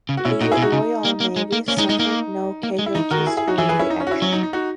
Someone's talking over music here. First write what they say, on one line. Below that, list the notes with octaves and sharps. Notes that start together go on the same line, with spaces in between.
The Royal Navy suffered no casualties during the action.
C#3
F#4
B2 C#4 E4
A#2 D#4 F#4
E4 G#4
B2
D#4 F#4
C#3 D#4
A#3
A#3
G#3
A#3
A#3 C#4
G#3 D#4
G#3 D#4
A#3 D#4
A#3
G#3
E4
E3 D#4
D#3 F#4 A#4
E4 G#4
E4 G#4
D#4 F#4
E3 E4 G#4
G#4 B4
C#4 E4
D#4
C#4
F#4
C#4 E4
F#3 C#4
D#4
D#4
D#4 F#4